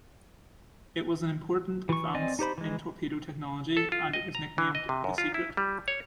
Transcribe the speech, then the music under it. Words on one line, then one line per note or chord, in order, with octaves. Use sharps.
It was an important advance in torpedo technology, and it was nicknamed "The Secret".
E3 C#6
C4 D5 D#5 G#5
D#4 G4 C5 B5
E3 G#3
A4
F4
D#5
A#5
E3
D#5
C3
F#2
F4
E4
G3
C#5